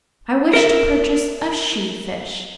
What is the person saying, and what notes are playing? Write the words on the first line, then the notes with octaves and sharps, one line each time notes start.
"I wish to purchase a she-fish."
A#4 E5